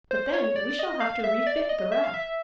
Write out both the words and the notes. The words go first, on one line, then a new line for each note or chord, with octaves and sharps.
"But then we shall have to refit the raft."
C5
C#5
D5
D#5
F5
E5
D5
D#5
E5
F5
E5